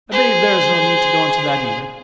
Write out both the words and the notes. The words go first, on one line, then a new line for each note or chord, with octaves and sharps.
I believe there is no need to go into that either.
G#4 C5